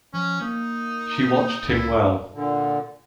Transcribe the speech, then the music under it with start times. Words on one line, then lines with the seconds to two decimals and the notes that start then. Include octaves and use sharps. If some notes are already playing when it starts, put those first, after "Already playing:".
She watched him well.
0.14 F3 C#4
0.41 A#3 D#4
1.68 C#2 E4
2.33 A#2 D3